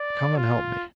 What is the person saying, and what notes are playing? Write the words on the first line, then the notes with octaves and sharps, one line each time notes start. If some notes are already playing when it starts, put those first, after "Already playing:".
"Come and help me."
Already playing: D5
F4